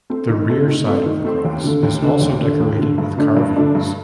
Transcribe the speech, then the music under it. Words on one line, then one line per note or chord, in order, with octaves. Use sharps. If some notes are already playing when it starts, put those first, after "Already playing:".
The rear side of the cross is also decorated with carvings.
A3 C4
D#3
A3 C4
D#3
A3 C4
D#3
A3 C4
D#2
D3 A3
D#2
D3 A3
D#2
D3 A3
D#2
D3 A3
G2
D3 A3 D4
G2
D3 A3 D4
G2